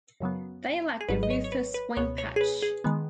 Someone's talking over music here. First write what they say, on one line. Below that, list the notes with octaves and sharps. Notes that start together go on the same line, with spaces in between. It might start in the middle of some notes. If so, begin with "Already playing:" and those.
They lack the rufous wing patch.
F#2 C#3 F#3 B3
G#4
G#1 G#2 F#3 B4
D#5
C#5
C#5
B4
B4
C#2 B2 B3 C#5
C#5
G#4
B4
G#4
D#3 G#3 B3